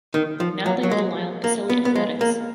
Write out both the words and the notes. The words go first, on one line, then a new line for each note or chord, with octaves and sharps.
Now they are the Lyle-Pacelli Athletics.
D#3
F3
F#3
F#3
G#3
A#3
B3
B3
G#3
A#3